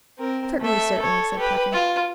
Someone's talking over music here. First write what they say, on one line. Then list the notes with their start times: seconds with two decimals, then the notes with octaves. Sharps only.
"Certainly, certainly," said Puffin.
0.19 C4 A#4
0.60 A3 E5
0.98 A4 C#5
1.38 G4 B4
1.72 F4